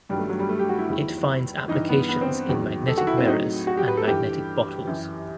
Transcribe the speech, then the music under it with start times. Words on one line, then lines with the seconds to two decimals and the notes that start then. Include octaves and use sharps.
It finds applications in magnetic mirrors and magnetic bottles.
0.09 G2 D#3 F#3 G3
0.19 A3
0.29 F#3
0.39 G3
0.49 A3
0.59 G4
0.69 F#4
0.79 E4
0.89 E2 D#3 F#3
1.68 G2 E3 D#4
1.89 B3
2.09 B3
2.21 C4
2.49 E2 D#3 F#3
2.88 A4
2.98 F#4
3.07 E4
3.18 C4
3.27 A2 F#3 D#4
3.67 F#4
3.77 G4
3.88 B4
3.97 A4
4.07 G2 E3 G4
4.87 F#2 E3